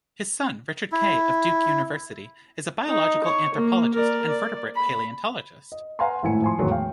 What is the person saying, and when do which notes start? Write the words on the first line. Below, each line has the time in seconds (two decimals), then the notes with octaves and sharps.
His son Richard Kay of Duke University is a biological anthropologist and vertebrate paleontologist.
0.92 E4
2.87 D#4
3.24 C#5
3.54 A#3
3.94 A#4 D5
4.27 D5
4.76 B5
5.72 D#5
5.99 B4 F5 F#5 G#5 A#5 C6
6.23 G#1 A2 E4 G#5 C#7
6.42 F3 G#5 C6
6.59 E2 A2 D3 D#3 F#3 G#3
6.71 F5 G5